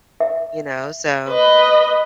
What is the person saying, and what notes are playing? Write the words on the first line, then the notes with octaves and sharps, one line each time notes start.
You know? So
E5
B4 D#5